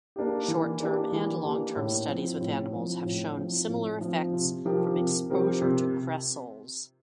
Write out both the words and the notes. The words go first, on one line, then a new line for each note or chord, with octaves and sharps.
Short-term and long-term studies with animals have shown similar effects from exposure to cresols.
A#3 D4 G4
E3
A#3 D4 G4
E3
A#3 D4 G4
A2
F3 C4
A2
F3 C4
A2
F3 C4
A2
F3 C4
C3
F3 C4 G4 A#4
C3
F3 C4 G4 A#4
C3